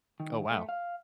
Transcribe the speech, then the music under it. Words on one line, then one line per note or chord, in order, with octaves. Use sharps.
Oh, wow.
D#3
A3
F5